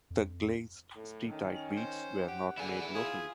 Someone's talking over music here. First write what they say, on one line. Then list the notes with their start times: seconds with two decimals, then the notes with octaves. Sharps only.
The glazed steatite beads were not made locally.
0.10 F2
0.95 A2
1.30 D#3 C#4
1.77 C5
2.28 G4 F#5
2.57 E2 D3 E4 G#5
2.95 F4 G#4